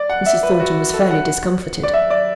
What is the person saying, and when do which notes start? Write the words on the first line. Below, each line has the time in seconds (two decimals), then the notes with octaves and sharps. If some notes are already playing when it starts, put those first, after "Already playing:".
Mrs. Thornton was fairly discomfited.
Already playing: D5
0.10 F#5
0.26 E5
0.43 B4
0.60 F#4
0.94 A4
1.11 F#5
1.83 D5
1.94 E5
2.10 D5